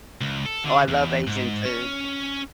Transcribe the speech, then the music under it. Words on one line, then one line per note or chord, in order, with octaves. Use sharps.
Oh, I love Asian food.
C#2
A4
D3
E2
G#2
C#4